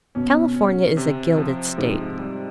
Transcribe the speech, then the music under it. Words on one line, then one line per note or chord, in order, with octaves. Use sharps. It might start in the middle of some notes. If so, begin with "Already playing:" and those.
California is a gilded state.
B2 C#4
C#4
C3
F3
G#2 C3
G3